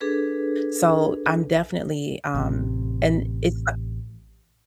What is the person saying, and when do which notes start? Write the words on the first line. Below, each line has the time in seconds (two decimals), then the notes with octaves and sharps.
So, I'm definitely, um and it's like
0.01 D4 G#4 A4 B4
2.34 A1 C3